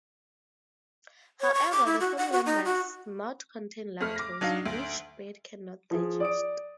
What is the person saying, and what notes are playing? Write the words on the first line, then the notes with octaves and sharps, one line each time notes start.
However, the formula must not contain lactose, which birds cannot digest.
C#5
C#6
D6
E4
F#4
F#5
F#4
D#4
F#4
F2 A3 F6
D6 A#6
F#3 D4 D#4 D#5 F5
D2
F3 G#4
D5 D#6 D7